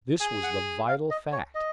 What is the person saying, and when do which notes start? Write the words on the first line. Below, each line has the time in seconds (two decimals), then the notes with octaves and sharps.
This was the vital fact.
0.21 G#4 G#5
0.43 F#5
0.88 F5
1.10 D#5
1.32 C#5
1.55 D#5